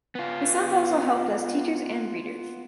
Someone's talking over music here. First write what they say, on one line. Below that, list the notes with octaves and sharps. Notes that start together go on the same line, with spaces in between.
His sons also helped as teachers and readers.
B3 F4